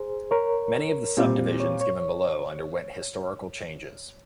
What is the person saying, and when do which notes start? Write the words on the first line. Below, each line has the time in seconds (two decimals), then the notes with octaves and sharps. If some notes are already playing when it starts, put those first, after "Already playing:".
Many of the subdivisions given below underwent historical changes.
Already playing: G#4 C5
0.31 A#4 C#5
1.17 A#2 G3 C4 F4
1.60 C#5
1.81 C#5